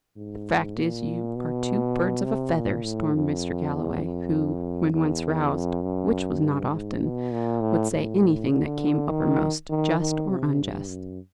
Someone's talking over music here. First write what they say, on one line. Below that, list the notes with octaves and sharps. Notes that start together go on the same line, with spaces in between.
"The fact is, you are two birds of a feather," stormed Mr. Galloway, who, when once roused, which was not often, would say anything that came uppermost, just or unjust.
G#2
A#2
B2
C3
A#2
A2
F2
E2
F2
E2
F2
F#2
G2
G#2
B2
A#2
A2
A2
D3
D#3
D#3
D#3
C3
G2
F#2